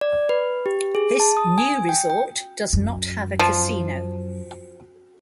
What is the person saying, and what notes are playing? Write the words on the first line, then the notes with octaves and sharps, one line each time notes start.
This new resort does not have a casino.
D5
B4
G4
G#4
A5
D#6
G#5
G5
G5
F#2
F3